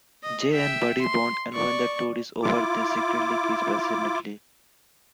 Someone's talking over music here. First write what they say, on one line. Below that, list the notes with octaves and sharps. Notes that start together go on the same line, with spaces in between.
Jay and Buddy bond, and when the tour is over they secretly kiss passionately.
D#5
E5 G5
C6
D5 C#6
E4 F4 D6